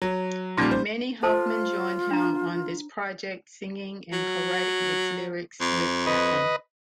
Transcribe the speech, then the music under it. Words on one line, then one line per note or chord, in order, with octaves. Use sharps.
Mani Hoffman joined him on this project, singing and co-writing its lyrics with Atlan.
F#3
A#2 F3 G3 A#3 C#4 D#4
C5
F4 A4 C5 A5
D4 A#5
F#3
F2
B4 D#5